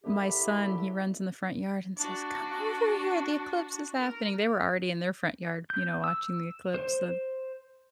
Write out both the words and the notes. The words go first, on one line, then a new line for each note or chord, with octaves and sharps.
my son, he runs in the front yard and says, "Come over here, the eclipse is happening." They were already in their front yard, you know, watching the eclipse, so
C2 D3 E4 G4 E5
D4 F#4
A#4
G6
E6
C5